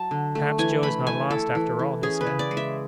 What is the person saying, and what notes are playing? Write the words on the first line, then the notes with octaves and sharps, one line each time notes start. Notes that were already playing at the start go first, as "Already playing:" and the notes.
"Perhaps Joe is not lost after all," he said.
Already playing: F#3 A5
D3
A3
E3 G#5
A3 B5
A3 G#5
E3 A4
E3
E3
C#4 G#4
B4
C#3
D5
G#3
E5